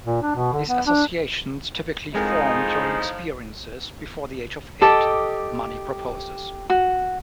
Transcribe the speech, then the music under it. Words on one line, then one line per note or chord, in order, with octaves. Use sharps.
These associations typically form during experiences before the age of eight, Money proposes.
A#2
D4
B2
D3
B3
D4
A2 F3 G#3 C4 D#4 G#4 A#4
G4 A4 D#5 D6
F#4